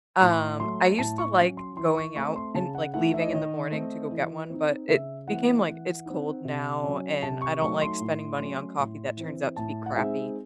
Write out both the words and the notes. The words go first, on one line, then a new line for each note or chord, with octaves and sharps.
Um, I used to like going out and, like, leaving in the morning to go get one, but it became, like "It's cold now, and I don't like spending money on coffee that turns out to be crappy."
A2 C6
F#3 A3 C6
A2 A5
C#6
F#3 C#4
C6
E3 C6
C#6
A3 C4 C#6
C6
C#3 A5
F#5
E3 A3 D#4 F#5
E5
D#5
C#5
D#3 D#5
A3 C4
E3
C4 D#4
C#3 E5
E3 A3 C4 F#5
E3
C4 D#4
C3
F#3 C#4
C3 A5
C#6
F#3 A3 D#4 C#6
C6
A2
F#3 A3 C#4
A2
E3 C4
A2 A5
F#5
G#3 C4 D#4 E5